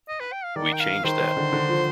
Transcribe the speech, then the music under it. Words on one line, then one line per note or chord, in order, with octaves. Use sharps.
We changed that.
D#5
B4
G5
F5
D#3 D5
G5
F5
D#3 C5
D#3
D3
D3
F3